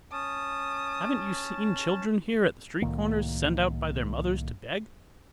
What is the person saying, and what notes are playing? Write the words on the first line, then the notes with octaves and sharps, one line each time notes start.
Haven't you seen children here at the street corners sent out by their mothers to beg?
C#4 A5 D#6
C2 A2 D#3 A#3